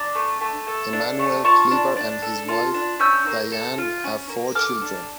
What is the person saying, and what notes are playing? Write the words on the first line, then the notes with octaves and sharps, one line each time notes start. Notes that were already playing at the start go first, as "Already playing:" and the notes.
Emanuel Cleaver and his wife, Dianne, have four children.
Already playing: D4 A#5 D6
A3
A3
A4
D4
A3
F4 A5 C#6
D4
D4
A4
F4
D4
C#4 E6 G6
A#3
A4
F4
C#4
A#3
A4 D6 F6
D4